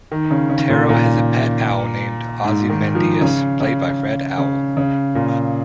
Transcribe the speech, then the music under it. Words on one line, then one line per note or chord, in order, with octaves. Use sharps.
Tarot has a pet Owl named Ozymandias, played by Fred Owl.
D#3
C#3
C#3
A#2
A#2
G#2
D#3
F3
C#3
C#3
C#3
C#3
A#2